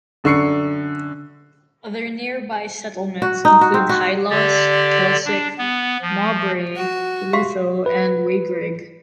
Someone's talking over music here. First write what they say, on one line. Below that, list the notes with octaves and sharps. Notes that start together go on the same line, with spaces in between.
Other nearby settlements include Highlaws, Kelsick, Mawbray, Pelutho, and Wheyrigg.
F#2 D3 C#6 C7 C#7
F#4
D#4
F#4
C4
F#4
D3 G4 D5
D4
B3
F3
F#4
G4 F5 C6
B4